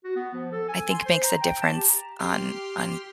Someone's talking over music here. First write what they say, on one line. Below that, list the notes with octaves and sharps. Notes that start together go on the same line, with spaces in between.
I think, makes a difference on on
F#4
B3
F3
A4
G#5
C6
C5
A#5
G5
A5
G4
A#5
G4 C6 F6